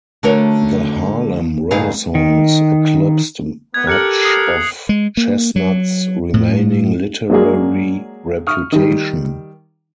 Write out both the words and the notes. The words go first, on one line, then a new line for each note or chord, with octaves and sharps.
The Harlem Renaissance eclipsed much of Chesnutt's remaining literary reputation.
D3 A3 F#4 A#4 C#5
D2 G2 D#4 G#4 F5
D#3
B3 G#6
G4 A4 A#4 F#6 C#7 F#7
D#6 C7
G#3
A#3
F#3
A2
F#3 G#3 A#3 D4 F#4 G#4
C#6 D#6 F6
D#3 G3